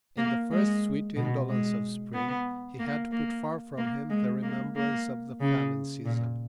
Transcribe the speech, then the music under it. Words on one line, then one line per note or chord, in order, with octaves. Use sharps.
In the first sweet indolence of spring he had put far from him the remembrance of the famine season.
A#3
G#3
B2
G#3
B3
A#3
A#3
A#3
G#3
A#3
A#3
C#3
A#2